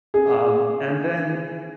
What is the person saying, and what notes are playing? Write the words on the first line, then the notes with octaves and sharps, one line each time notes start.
Um, and then
G#4